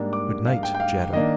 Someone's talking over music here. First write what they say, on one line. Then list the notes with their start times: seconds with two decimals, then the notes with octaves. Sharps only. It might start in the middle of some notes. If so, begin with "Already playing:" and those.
"Good night--Jetta."
Already playing: G#2 G3 A#3 D4
0.13 D6
0.47 F5
0.63 G5
0.75 G5
0.80 F5
1.13 D#3 A#3 D4 D#5